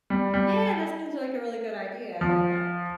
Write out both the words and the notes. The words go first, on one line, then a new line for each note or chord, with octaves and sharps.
Yeah, that sounds like a really good idea, I like that.
G3
G3
F3